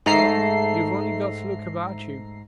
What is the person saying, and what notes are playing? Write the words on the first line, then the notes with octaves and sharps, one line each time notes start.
Well, you've only got to look about you.
G#2 A3 A4 A#5 C7